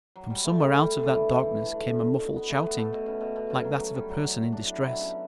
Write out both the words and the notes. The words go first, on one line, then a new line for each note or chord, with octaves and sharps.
From somewhere out of that darkness came a muffled shouting, like that of a person in distress.
F#3
G3
A3
G3
D3
E3
E3
D3
C#3
B2
B3
A3
B3
A3
B2
C#3
B2
B2
C#3
F#3
F#3
G3
F#3
D4
E4
F#3
B2
C#3